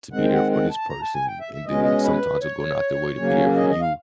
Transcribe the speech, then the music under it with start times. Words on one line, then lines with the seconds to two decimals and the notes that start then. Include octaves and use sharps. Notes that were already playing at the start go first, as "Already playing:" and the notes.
to be there for this person, and then sometimes they're going out their way to be there for you,
0.12 D#3 G#3 C4 F#5
0.24 G5
0.34 F#5
0.51 F#5
0.70 A5
0.90 A#5
1.02 A5
1.14 G#5
1.27 G5
1.40 E5
1.53 E5
1.66 B2 G#3 C#4 D#5
1.84 D#5
2.04 B4
2.41 C#5
3.18 C#3 F#3 A#3 C#4
3.56 D#5
3.69 D#5
3.81 F5